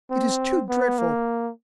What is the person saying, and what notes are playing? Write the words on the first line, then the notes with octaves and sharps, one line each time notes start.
It is too dreadful!
C4
B3
A#3